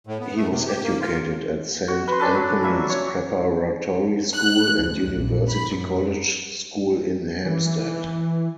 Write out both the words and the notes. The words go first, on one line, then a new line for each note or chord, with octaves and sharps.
He was educated at Saint Anthony's Preparatory School and University College School in Hampstead.
A2
B3
A3
C3
G4
A#3
F4
F#4
B4 C6
C#4 D4 A4 B4
F#3
A#3 E5
C#5
F#6
D2
A#1
B5
F#2
E3